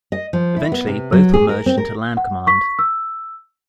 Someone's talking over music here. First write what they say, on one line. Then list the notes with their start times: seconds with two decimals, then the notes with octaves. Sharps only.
Eventually, both were merged into Land Command.
0.12 D#5
0.33 F3
0.56 E4
0.72 B3
0.87 C3
1.12 F#3
1.34 G#4
1.49 A#4
1.66 C4
1.78 A#4
2.17 F#5
2.47 C#6 B6
2.79 E6